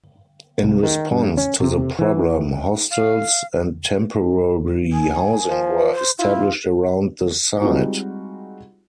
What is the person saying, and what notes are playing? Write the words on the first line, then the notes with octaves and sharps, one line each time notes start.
In response to the problem, hostels and temporary housing were established around the site.
C2
D#3
G2
C#4
C3
E3
F5
G#5
F3
C5
E4 F4
G3 G#3 C4 D#4 F4 F#4